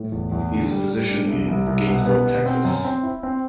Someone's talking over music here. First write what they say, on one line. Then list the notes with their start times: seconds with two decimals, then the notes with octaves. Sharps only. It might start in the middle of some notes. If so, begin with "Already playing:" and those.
He is a physician in Gatesville, Texas.
Already playing: A2
0.12 E2
0.32 E2
0.51 D3
0.71 G3
0.91 G3
1.09 D4
1.29 C2
1.48 C2
1.67 C2
1.87 B2
2.06 B3
2.26 B2
2.46 C4
2.65 F#2
2.85 C4
3.03 E4
3.23 C4